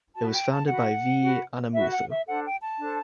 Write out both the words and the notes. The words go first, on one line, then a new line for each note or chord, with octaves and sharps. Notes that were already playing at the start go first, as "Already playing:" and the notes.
It was founded by V. Anaimuthu.
F#4 B4 A5
G5
A5
F#4 B4 F#5
F#4 B4
F#4 B4 E5
F#5
E5
D4 A4 C5 F#5
G5
A5
D4 A4 C5